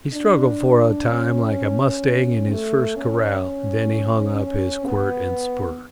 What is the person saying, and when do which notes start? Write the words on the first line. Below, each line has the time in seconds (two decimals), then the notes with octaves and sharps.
He struggled for a time like a mustang in his first corral, and then he hung up his quirt and spurs.
0.14 D4
1.08 C#4
2.50 A3
2.96 C#4
4.37 C#4
4.85 B3